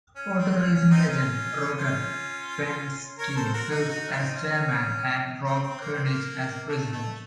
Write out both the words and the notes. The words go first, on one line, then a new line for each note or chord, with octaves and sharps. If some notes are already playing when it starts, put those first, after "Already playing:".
Auto racing legend Roger Penske serves as chairman, and Rob Kurnick as president.
C#4
C4
C4
C#4
C#4
C4 D#4
C#4 F4
C#4 F4
A#4 C#5
C#5
A4 C5
F#4 A#4
D#4 F#4
D#4 F#4
C#4
C4 D#4
C#4
C4
C4
A#3
C4
A#3
A3
A3